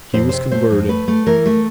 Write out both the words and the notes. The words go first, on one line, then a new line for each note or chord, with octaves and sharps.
He was converted.
F2 C5
C3 C5
A3 C5
F2
A3 B4
A3
E3 A#4
A3